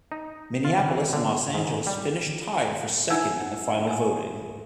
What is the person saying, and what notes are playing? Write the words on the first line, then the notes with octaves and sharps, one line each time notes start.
Minneapolis and Los Angeles finished tied for second in the final voting.
D#4
F4
E3
D3
G#2
G3
D#4 E4 E5 F#5 G#5 E6
E5 G#5 D#6